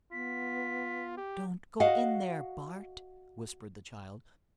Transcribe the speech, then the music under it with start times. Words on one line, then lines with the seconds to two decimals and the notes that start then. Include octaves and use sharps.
"Don't go in there, Bart!" whispered the child.
0.12 B3 F4 B6
1.18 G4
1.80 F#4 D#5 F5 F#5